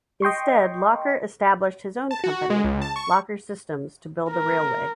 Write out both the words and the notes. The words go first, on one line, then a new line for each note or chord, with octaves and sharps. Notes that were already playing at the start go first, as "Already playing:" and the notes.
Instead, Locher established his own company "Locher Systems" to build the railway.
D#5 G5 C6 C#6
A5
F#4
G#3
C#2
A5
C#6
A#4